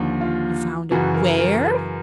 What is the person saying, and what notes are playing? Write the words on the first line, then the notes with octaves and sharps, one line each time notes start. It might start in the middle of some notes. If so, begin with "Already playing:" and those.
"You found it--WHERE?"
Already playing: D#2 D3 F3
F4
F#2 C#3 E3 F#4
A#4
A#4